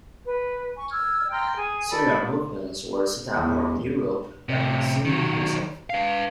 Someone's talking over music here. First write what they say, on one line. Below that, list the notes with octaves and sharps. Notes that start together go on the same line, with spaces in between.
Similar movements were set up around Europe by Mazzini himself.
B4
G#5 C#6
E6 F6 G#6
G5 A#5 C6 F6
G#4 G#5
A4 D5 B5
E2
A2 C3
D#3 F#3
B4 F5